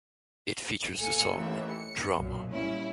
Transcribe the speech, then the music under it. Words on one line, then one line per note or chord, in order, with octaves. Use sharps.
It features the song "Drama".
A#3 A4 G#5 C#7
A1 D#2 E3 E5
C#7
B1 F#2 A#2
A#2 G3 C#4 E4